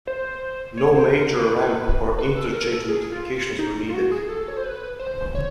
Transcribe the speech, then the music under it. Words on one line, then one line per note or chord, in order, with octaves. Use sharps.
No major ramp or interchange modifications were needed.
C5
C#5
C5
A#4
B4
B4
A4
A#4
A4
G#4
F4
D#4
F4
F#4
G#4
A4
C#5
C5
B4
C5
C#5